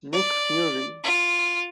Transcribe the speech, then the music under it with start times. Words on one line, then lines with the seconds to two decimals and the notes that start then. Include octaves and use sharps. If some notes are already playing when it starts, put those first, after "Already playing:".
Nick Fury.
0.13 D5
1.04 F4